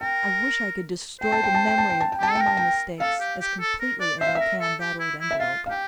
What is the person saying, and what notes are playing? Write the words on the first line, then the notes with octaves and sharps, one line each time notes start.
"I wish I could destroy the memory of all my mistakes as completely as I can that old envelope."
A#4 G5
C5 G5
A5
G5
A5
G5
A5
G5
A5
G5
G4 A5
A4
G5
A#4
A5
G5
A4 F5
G4
G4
A4
A#4
D5
C5 E5
F5
E5
A#4
A4
G4
E4
E4
E5
F4 F5
F5
G4 G5